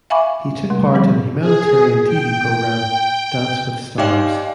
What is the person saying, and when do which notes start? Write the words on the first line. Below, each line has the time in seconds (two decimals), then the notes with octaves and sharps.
He took part in humanitarian TV programme "Dance with stars".
0.10 E5 F5 G#5 B5 C#6 D6
0.70 C3 G3 A3
0.94 D3 F3 G3 C4 G#4
1.40 G#4
2.06 G5
3.98 D#4 G4 D5 D#5 F5 G5